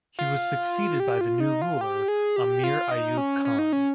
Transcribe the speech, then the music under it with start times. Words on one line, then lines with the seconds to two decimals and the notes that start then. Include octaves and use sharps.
He was succeeded by the new ruler, Amir Ayub Khan.
0.19 F4
1.00 G4
1.21 F4
1.40 D#4
1.62 F4
1.81 G4
2.08 G#4
2.36 G4
2.64 F4
2.91 D#4
3.18 C#4
3.45 C#4
3.59 D#4
3.73 C#4